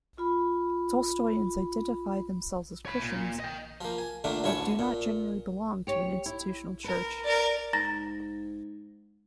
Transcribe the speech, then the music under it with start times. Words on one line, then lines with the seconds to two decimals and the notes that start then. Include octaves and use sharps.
Tolstoyans identify themselves as Christians, but do not generally belong to an institutional Church.
0.18 F4 B5
2.85 C#5 B5
3.02 A#2
3.40 D#5 G5
3.81 F3 A#3
3.98 G#5
4.24 A#2 D3 A3 A#3 D4
4.44 A1 D2 E4 C#5 A5 C#6
4.79 A#2
5.87 G4 C#5
6.26 E4
6.84 A#4 B4
7.24 A#4 D5
7.73 G#2 A#5 A6 A#6